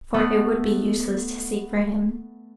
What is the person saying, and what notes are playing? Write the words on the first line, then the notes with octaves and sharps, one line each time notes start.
For it would be useless to seek for him.
A3 B3